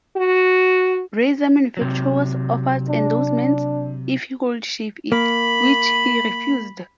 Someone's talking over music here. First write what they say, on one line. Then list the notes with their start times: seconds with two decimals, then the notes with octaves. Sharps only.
Razor manufacturers offered endorsements if he would shave it, which he refused.
0.17 F#4
1.77 C3 F#3
2.88 D4
5.12 A#3 B5